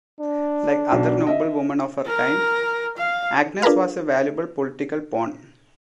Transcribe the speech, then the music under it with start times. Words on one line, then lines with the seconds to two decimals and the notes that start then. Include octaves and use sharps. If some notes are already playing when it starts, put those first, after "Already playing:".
Like other noble women of her time, Agnes was a valuable political pawn.
0.20 D4
0.92 B1
1.27 D#5 E5
2.06 A#4
2.97 F5
3.62 D4 F4 G#4 A#4 B4 F5